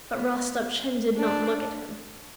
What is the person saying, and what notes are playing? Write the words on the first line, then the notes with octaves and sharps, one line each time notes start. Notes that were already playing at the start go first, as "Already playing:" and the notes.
But Rostopchin did not look at him.
B3
D4